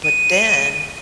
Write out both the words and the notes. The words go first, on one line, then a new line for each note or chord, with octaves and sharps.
but then
D#7